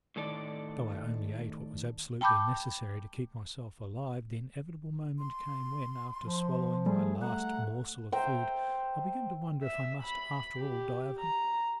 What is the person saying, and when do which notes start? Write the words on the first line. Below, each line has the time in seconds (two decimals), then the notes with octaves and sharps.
Though I only ate what was absolutely necessary to keep myself alive, the inevitable moment came when, after swallowing my last morsel of food, I began to wonder if I must after all die of hunger.
0.16 A2 D#3 A4 D5
2.21 G5 A5 B5 D6 G6
5.19 C6
6.23 F3
6.86 G3 A3 G#4
7.22 A3 F#5 A#5
8.12 C5 E5 G5 A#5
9.63 E5
10.03 B5
10.59 G4
11.19 A#5